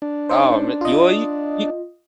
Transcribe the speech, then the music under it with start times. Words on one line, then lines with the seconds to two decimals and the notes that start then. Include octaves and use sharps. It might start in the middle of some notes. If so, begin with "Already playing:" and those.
Oh ma well, you you
0.02 D4
0.29 C#4 D#4 C5
0.81 F4 D#5